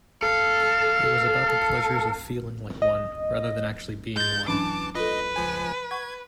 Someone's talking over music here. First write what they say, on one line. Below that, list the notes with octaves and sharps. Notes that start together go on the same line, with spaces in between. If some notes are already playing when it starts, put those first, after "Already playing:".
It was about the pleasures of feeling like one rather than actually being one.
A4 F5
D#5
G2 G#3 G6 A6
E3 F#3 C#4 D4 A5 D6
F4 A4 B4 D#5
C#2 F3 G#5
F#5 C#6 G#6